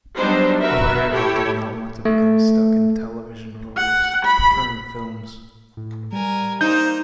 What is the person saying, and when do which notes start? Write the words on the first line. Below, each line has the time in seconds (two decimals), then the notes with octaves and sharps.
O'Herlihy did not want to become stuck in television roles, preferring films.
0.16 F#3 G3 B3 D4 D#4 C5
0.60 F#4 A#4 B4 E5
1.10 E4 G4 A4 C#5
2.05 A3
3.77 F#5
4.25 B5
5.77 A2
6.13 G3 A#4 G#5
6.61 A#3 D#4 C5 G6